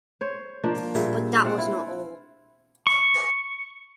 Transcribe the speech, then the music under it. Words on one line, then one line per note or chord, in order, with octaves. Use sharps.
But that was not all.
C5 C#5
F3 A#3 D4
A#2 G3 G#4 E5
C4 F4 F#5
E4
C#6